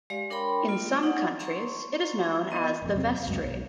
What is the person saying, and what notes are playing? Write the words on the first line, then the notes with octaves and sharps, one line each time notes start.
In some countries, it is known as the vestry.
G#3 G4 D5 F5
D4 A#4 C#5 G5 B5 C6
A#3 F4
D#4 D5 F#5
A#5 C6 C#6
B3 D#5
D#1 F2
E2 C3 F#3 C4
C#2 F#2 G#3
B1